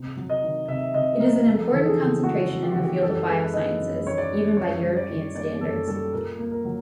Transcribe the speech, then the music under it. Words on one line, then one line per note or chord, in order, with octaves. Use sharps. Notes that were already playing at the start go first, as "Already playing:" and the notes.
It is an important concentration in the field of biosciences, even by European standards.
Already playing: C3
F#3
D#5
D#3
C3 E5
C3 D#5
F#3 A#4
A#4
F2 A4
E3 A4
G#4
C#3
G#3 F#4
F2
G4
E3 F#4
G4
F#2 A4
G#3 B4
D#3 D#5
F#2
F#2 C#5
D5
G#3
F#2 C#5
G3
D5
D#3
A#3 D5
F#2 A4
G3 A4
A#2 A#4
A#3
A#4
F#3